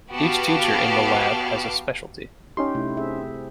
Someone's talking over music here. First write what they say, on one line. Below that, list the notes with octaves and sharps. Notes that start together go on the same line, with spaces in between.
Each teacher in the lab has a specialty.
B3 F#4 G4 F5 A5
C#4 D#4 G4 C6
C3 A3 E4
C4 G#4 E5